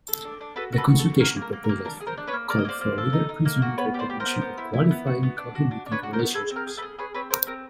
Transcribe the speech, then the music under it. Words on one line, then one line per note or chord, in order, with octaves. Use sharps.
The consultation proposals called for legal 'presumed' recognition of "qualifying" cohabiting relationships.
A4
D4
D4
F#4 A4 B4
F#4
A4 B4
F#4
A4
F#4
A#3 A#4
A#3
A#4
A#3
A#4
A#3
D4 A#4
G#4
A#4 C5
D4
B4 C#5
A#3
A#3 D5
D#5
A#3 C5 D5
A#3
A4
D#4
D#4
A#3
F#4
B3 B4 C#5
G4
C5 D5
G4
A#4 C5
B3
B3
E4
E4
B3
F#4
B3
D4
F#4
D4
D4
B4 C#5
F#4
A#4 C5
B3
G#4 A4 B4
C4
A#4
G#4
A4 B4
G#4
G#4 B4 C#5
C4 B4 C#5
C4 A#4 C5
C4 A#4